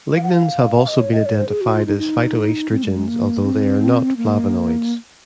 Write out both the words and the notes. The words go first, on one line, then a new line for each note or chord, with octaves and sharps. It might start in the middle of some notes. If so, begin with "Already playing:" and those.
Lignans have also been identified as phytoestrogens, although they are not flavonoids.
F5
F#5
F5
D#5
C#5
D#5
C#5
C5
G#4
F#4
F4
D#4
D#4
C4
G#3
G#3
A#3
C4
A#3